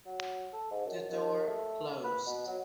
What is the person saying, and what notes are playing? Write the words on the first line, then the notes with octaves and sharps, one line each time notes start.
The door closed.
F#3
A4
G#2
F#2
D#2
A3
B4
B2
F#3